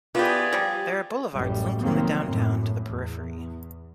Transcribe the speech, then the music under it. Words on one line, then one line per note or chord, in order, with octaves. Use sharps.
There are boulevards linking the downtown to the periphery.
E3 B3 F4 G4 G#4 D5
F3 G3 G4
A1 F#2 G3
F1 D#3 F#3 A#3 C4
F#2 A2
E2